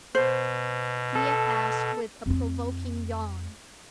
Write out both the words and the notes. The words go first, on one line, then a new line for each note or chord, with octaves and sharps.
Thea asked with a provoking yawn.
B2 C5
A4
F2 E4